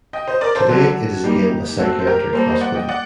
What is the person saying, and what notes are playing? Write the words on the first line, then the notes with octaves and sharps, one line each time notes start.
Today it is again a psychiatric hospital.
D#5 G5
C5 D#5
A#4 D5
A4 C5
D3 F#3 F#4 A4
G3 A#3 D#4 G4
A3 C4 F#4 A4
C5
G4 A#4
G3 A#3 A4 C5
C5 D#5
D5 F#5
D#5 G5
D5 F#5